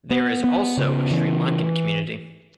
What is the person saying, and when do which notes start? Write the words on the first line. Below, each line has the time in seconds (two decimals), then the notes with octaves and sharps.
There is also a Sri Lankan community.
0.11 B3
0.44 B3
0.77 C#3
1.11 E3